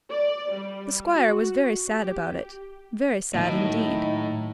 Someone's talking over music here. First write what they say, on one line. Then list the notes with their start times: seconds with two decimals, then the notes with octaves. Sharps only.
The squire was very sad about it,--very sad indeed.
0.10 D5
0.52 G3
1.11 F#4
1.90 G4
3.35 A2 D#3 F#3 A#3 D#4